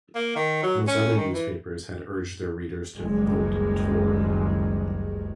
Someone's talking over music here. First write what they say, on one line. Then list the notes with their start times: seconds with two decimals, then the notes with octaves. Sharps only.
Most other newspapers had urged their readers to vote Tory.
0.15 A#3
0.36 D#3
0.63 F#3
0.87 C#4
1.17 D#3
1.33 E3
2.97 F#1 C#2 D#3 G3 G#3